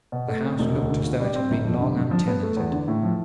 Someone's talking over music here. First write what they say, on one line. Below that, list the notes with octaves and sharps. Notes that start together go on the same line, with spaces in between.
The house looked as though it had been long untenanted.
B2
A3
C4
E1
D2
D3
F4
G3
C4
G1
F2
D3
G2
F3
B3
A3
E2
D3
A2
F3